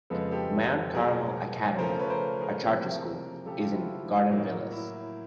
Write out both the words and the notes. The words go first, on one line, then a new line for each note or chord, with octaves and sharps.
Mount Carmel Academy, a charter school, is in Garden Villas.
F2 C#3 F3 G#3 B3 A4 B4
G4 A4
B2 F#3 A#3 G#4 A#4
C#3 F3 A3 C#4 A#4 C5
B4 C#5
A#4 C5
G#4 A#4
C3 F3 A#3
C#3 F3 A3 G4 A4
F4 G4
E4 F#4
A2 F#3 A#3
E4